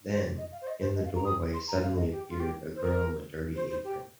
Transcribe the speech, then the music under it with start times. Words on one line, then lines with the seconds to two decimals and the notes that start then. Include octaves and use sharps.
Then, in the doorway suddenly appeared a girl in a dirty apron.
0.09 C5
0.37 D#5
0.52 F5
0.61 C5
0.67 D#5
0.80 C5
0.95 D#5
1.04 F5
1.15 A#5
1.24 D#6
1.53 C6
1.68 A#5
1.82 F5
1.96 D#5
2.11 G4
2.29 F4
2.39 G4
2.75 C5
2.83 A#4
3.55 C5
3.70 C5
3.84 G4